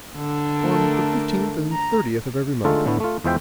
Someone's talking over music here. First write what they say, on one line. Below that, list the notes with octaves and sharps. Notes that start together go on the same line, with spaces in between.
"On the fifteenth and thirtieth of every month."
D3 D4
A3 A#4
A#5
D3 G#3 A3 D#4 F4 A4
A2 D3 A3 B3
A3 F4
E2 G#3 F4 C5 E5 G5